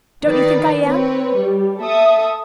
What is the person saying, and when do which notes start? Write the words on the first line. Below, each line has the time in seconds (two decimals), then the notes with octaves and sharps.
Don't you think I am?
0.25 D#3 D#4 B4 D5
0.84 C4 B4 C#5
1.38 G3
1.79 A4 E5 D#6